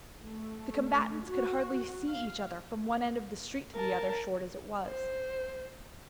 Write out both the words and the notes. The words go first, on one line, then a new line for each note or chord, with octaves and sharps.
The combatants could hardly see each other from one end of the street to the other, short as it was.
A3
F#4
F5
A#4 A5
C5